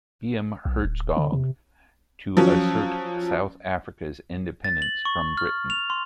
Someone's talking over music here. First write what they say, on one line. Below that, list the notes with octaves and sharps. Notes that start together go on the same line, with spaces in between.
B. M. Hertzog to assert South Africa's independence from Britain.
B1
D1
D3
C3
F3 F#3 C#4
A6
F#7
C#6
F6
F7
C6